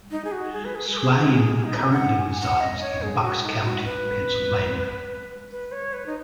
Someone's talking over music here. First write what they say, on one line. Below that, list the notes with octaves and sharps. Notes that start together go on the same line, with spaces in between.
Swaim currently resides in Bucks County, Pennsylvania.
D#4
G#4
F#4
G#4
B4
G#4
B4
G#4
D#4
F#4
G#4
D#4
G#5
F#5
G#5
G#5
F#5
D#5
C#5
G#4
F#4
D#4
F#4
B4
B4
C#5
B4
D#4